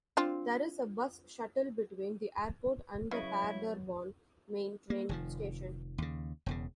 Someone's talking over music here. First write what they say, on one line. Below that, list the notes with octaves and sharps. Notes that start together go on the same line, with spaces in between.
There is a bus shuttle between the airport and the Paderborn main train station.
C4 D4 F4
C#3 F#3 E4 B4 C#5 D#5
A#3
F1 D#3 F3
D#2 C#3
E1 E2 C#3